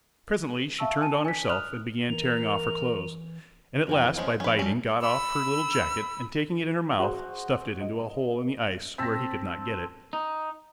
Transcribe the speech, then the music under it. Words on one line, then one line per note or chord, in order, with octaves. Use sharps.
Presently she turned on herself and began tearing off her clothes, and at last by biting got off her little jacket and taking it in her mouth stuffed it into a hole in the ice where he could not get it.
E5 F5 A5 C#6 E6
G#5 A5 D#7
G#5 B6
D#6 F6 F#6 F7
E3 A#4 F7
F2 E3 G5
F3 G#3 C#4
F3 C#4 B4
G3 C#4 A4
B5 E6
F#4 G#4 C5
D#5
C4 A5 A#6 B6
D#4